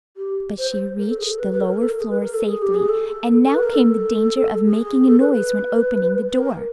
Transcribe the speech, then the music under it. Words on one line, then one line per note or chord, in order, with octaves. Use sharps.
But she reached the lower floor safely, and now came the danger of making a noise when opening the door.
G4
C5
C5
A#4
A4
G#4
A4
B4
B4
A4
A#4
A4
A#4
G#4
B4
A#4
A4
G#4
G4
G#4
A4
A4
B4
A#4
A4
G#4
A4
B4
B4
B4
A#4